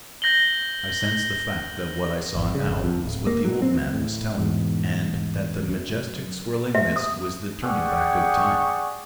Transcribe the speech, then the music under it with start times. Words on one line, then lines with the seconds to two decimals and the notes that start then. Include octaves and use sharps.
I sensed the fact that what I saw now was what the old man was telling, and that the majestic, swirling mist was the turning back of time.
0.22 G6 A#6 F#7 G7
2.35 G#1
2.55 C#3
2.67 G1
2.84 F2
3.05 D1
3.27 A#3
3.45 F#3
3.62 C4
3.93 A2
4.37 E2 G#2 B2
5.68 F#2
6.75 E5
6.96 D#6
7.64 G4 G#4 D5 F#5 G5 C#6